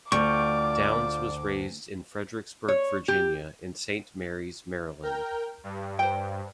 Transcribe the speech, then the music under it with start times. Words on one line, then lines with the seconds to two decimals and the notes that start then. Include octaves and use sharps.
Downes was raised in Fredericksburg, Virginia and Saint Mary's Maryland.
0.12 D2 F4 D5 G5 C#6 D6
2.68 C#5
3.08 G4
5.03 A#4 G5
5.64 G2
5.99 C5 G5